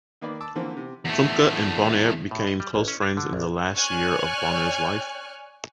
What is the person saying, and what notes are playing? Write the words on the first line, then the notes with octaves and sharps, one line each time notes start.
Klumpke and Bonheur became close friends in the last year of Bonheur's life.
D#3 A#3 B4 D5
A5 D6 E6
D3 E3 F3 A#3 C4
C3
E2 A3
A2
D#5
G3
A1
C#4
D4
D3
A#1
C#5 D5 G#5 C#6 F6 F#6